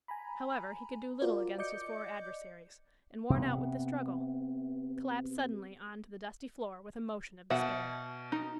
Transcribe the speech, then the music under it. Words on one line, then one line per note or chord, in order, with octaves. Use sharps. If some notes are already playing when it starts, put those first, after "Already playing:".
However, he could do little against his four adversaries, and, worn out with the struggle, collapsed suddenly on to the dusty floor with a motion of despair.
G#5 A#5 B5
F4 F#4 A#4 C5 D5
D5 D#5 D6 G6 C#7
C3 B3
B2 E5 F#5 A5
D#4